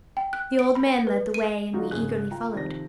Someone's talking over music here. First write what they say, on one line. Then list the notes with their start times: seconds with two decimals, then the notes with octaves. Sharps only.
The old man led the way, and we eagerly followed.
0.17 G5
0.33 F#6
0.59 D7
0.75 B5
1.07 B4
1.34 D#7
1.73 D3 F#3 D#4 F4 F#4
1.91 G#1 C#3 G#4 F#6
2.31 F4 G5 A#5
2.54 C3 D#3 F3 A#6